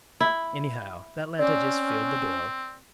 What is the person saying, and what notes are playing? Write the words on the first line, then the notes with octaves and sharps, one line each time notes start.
Anyhow, that letter just filled the bill.
E4
C4 C#4 D5 D6